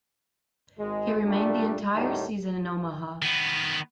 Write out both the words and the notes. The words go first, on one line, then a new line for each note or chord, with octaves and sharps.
He remained the entire season in Omaha.
G#1 G#3
A#2 G3 A3 D4
D#2 A2 D#3 G3 D#4 F#4
D#3 B3